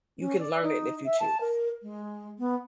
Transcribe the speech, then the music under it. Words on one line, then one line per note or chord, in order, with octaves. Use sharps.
You can learn it if you choose.
C#4
D5
D#4
E5
A5
A#4
G#3
B3